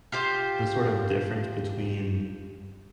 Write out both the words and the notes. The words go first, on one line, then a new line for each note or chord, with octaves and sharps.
the sort of difference between
F4 G4 C5